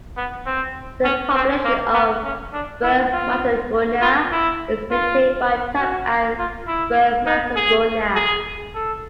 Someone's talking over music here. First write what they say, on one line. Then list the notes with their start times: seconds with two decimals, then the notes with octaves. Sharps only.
The population of spermatogonia is maintained by "type Ad spermatogonia".
0.17 B3
0.46 C4
1.04 C#4
1.35 C4
1.64 A#3
1.94 B3
2.24 C#4
2.53 D4
2.82 E4
3.13 F4
4.02 F4
4.31 E4
4.91 F4
5.79 F#4
6.38 F4
6.67 E4
7.26 D#4
7.56 G#4
8.15 G#4
8.74 A4